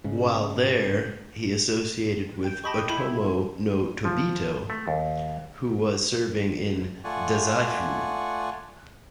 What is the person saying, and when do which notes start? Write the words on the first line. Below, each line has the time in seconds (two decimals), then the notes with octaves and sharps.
While there, he associated with Otomo no Tabito, who was serving in Dazaifu.
0.04 G#2 C#3
2.44 G5
2.64 G4 D#5 G5 A5 B5 C#6
2.89 E4 B5
4.05 F3
4.70 A3
4.88 D#2
7.04 A3 F4 D5 F#5 G#5 C#6